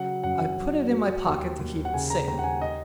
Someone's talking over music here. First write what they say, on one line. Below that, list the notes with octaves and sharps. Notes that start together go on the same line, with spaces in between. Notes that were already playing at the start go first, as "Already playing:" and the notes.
I put it in my pocket to keep it safe.
Already playing: C#3 F#3 F#5
F#2 F#5
F#3
F#3
D#2
D#2
F#5
C#3 G#5
A#5
D#2 A#5
F#5
G#5
D#5